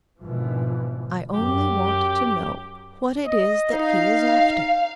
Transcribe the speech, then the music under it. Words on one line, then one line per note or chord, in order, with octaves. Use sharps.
I only want to know what it is that he is after.
G#1 B2 D3 E3 F3
F#2 G4
D#5
D#4 F5